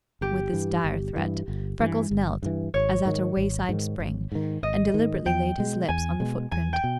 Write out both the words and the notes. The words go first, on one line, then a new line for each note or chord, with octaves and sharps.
With this dire threat, Freckles knelt, as at a wayside spring, and deliberately laid his lips on the footprint.
G1 G4
G2 E3
G1
G2 E3
G1
G2 E3
G1
G2 E3
G#1 C#5
G#2 D#3
G#1
G#2 D#3
G#1
G#2 D#3
G#1 D#5
G#2 D#3
E2 G5
B2 G#3
E2 G#5
B2 G#3
E2 G#5
G5
B2